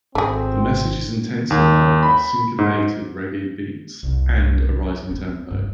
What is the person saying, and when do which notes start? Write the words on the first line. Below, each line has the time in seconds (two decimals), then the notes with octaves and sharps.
The message is intensified by syncopated Reggae beats, and a rising tempo.
0.15 G#1 A3 C4 G#4
1.50 D#2
2.03 B5
2.58 G#2
4.03 C2 F2
4.80 F#3
5.11 C4
5.51 F1 G2